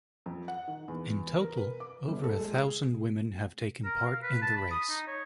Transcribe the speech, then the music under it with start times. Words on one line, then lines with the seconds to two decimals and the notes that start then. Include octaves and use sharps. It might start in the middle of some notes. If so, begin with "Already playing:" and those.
In total, over a thousand women have taken part in the race.
0.26 F2
0.48 F#5
0.68 D#3
0.88 E2
1.41 A#4
1.57 B4
1.80 D6
2.08 G1
2.24 A4
2.39 G#3
2.54 G#4
3.85 A#4
4.06 F5
4.23 B4
4.42 A5
4.57 B5
4.71 D#6
4.90 D#4
5.08 C#5